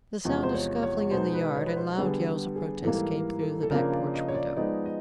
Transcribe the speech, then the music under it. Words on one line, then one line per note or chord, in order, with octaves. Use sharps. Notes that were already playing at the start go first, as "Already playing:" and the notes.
The sound of scuffling in the yard and loud yells of protest came through the back porch window.
E2 C3 F3 G#3
C5
C#5
C#5
B2 G#3 B3 D#4 C5
B4
C#5
B4
C5
D3 G3 B3 G#4
G4
G#4
G#2 E3 G3 A#3 A4
A#4
A4
A4
C#3 F3 A#3 D4 A#4
D5
D#5
C#5
D5
F3 G#3 B3 D#4 D5
D#5